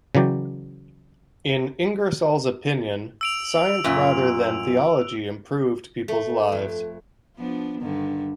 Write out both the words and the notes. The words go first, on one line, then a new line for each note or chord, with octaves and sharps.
In Ingersoll's opinion science rather than theology improved people's lives.
C#3 E3 F#3 D5 G5
E6 D7 F7
F#2 A#2
A3
F2
F3 B3 D4
G2 D3 D#3